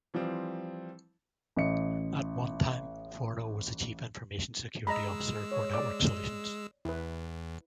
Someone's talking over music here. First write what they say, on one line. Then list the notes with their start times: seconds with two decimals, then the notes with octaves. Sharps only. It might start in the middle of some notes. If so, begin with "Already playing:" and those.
At one time, Forno was the Chief Information Security Officer for Network Solutions.
0.14 E3 F3 G3 C4
1.57 A1 D#5 C#7
4.87 G#3 D#5 A#5 B5 E6
5.52 C#5
5.73 D5 D6
6.85 E2 E4 B4